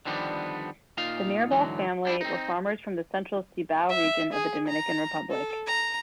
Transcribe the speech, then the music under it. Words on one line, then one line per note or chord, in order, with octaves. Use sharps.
The Mirabal family were farmers from the central Cibao region of the Dominican Republic.
D3 D#3 F3 G3 B3 D4
A#2 D#4 F4 F5
G#2 D3 E3 F#3
G3 D4 E4
C4 D#4
E5
G#4
A#5
A4
A#5